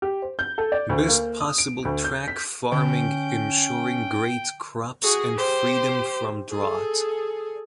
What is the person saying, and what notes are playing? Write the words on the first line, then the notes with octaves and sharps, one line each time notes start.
Best possible track farming insuring great crops and freedom from drought.
G4
C5
G6
A4
D5
D2
A#3
D#6
D7
D2
G6
B6
D3 C#4 G5
F#4 G#4
G4 C5
G#4 A4